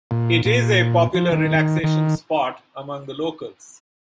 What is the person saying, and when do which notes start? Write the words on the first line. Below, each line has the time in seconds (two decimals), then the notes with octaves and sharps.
It is a popular relaxation spot among the locals.
0.11 A#2
0.45 A#2
1.15 F3
1.32 D#3
1.84 D#3